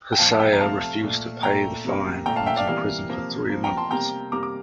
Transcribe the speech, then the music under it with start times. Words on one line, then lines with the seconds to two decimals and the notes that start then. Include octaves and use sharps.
Hsieh refused to pay the fine and was imprisoned for three months.
0.12 G5
0.19 A#2 F3 A#3 F5 A5
0.32 A5
0.40 E5 G5
0.53 A#5
0.60 C3 F3 A3 F5 A5
1.02 A#2 A3
1.43 A#2 A3 G5 A#5
1.84 C3 G3 A#3
2.26 A#2 A3 G5 A#5
2.36 F5 A5
2.46 E5 G5
2.56 D5 F5
2.67 C3 E3 G3 A#3 D5 F5
3.09 C3 F3 A#3
3.50 C3 F3 A#3
3.64 G5 A#5
3.77 A5 C6
3.91 C3 G3 A#3 G5 A#5
4.32 C3 G3 A#3 A#5 D6
4.43 D6